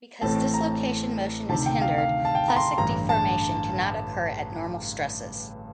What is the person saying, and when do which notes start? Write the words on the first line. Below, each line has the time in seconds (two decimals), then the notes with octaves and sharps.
Because dislocation motion is hindered, plastic deformation cannot occur at normal stresses.
0.21 A1 A2 A3 C4 A5
0.54 A#5
1.49 D2 C3 D#3 A5
1.66 G5
1.82 F5
1.98 F5
2.25 A5
2.35 G5
2.48 A#5
2.56 C6
2.78 A1 G2 D3 A#5
3.09 A5